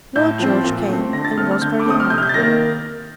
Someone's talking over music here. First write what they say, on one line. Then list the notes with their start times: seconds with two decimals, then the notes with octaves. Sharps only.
Lord George came and was very angry.
0.16 A2 G6
0.39 F3 C4
0.64 A#2
0.89 A3 C4
1.13 D3 A#6
1.25 A6
1.38 A3 C4 F6
1.51 F6
1.62 D3 G6
1.80 D6
1.86 A3 C4 D#6
2.00 F6
2.10 C3 G6
2.18 F6
2.23 G6
2.29 A6
2.34 D#3 A#3 A#6